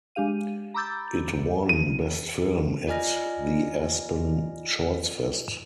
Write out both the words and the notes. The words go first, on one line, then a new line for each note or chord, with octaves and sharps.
It won "Best Film" at the Aspen Shortsfest.
G#3 D4 G4 F5 D#7
A#5 B5 D6 E6 G6 A6
D#7
F4 D5 D#5 G#5 F6 A#6